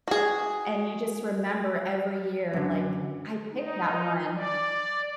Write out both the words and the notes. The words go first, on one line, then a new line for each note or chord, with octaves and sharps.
and you just remember every year like, "I picked that one."
F#4 G#4
F#2 D3
D#4
D5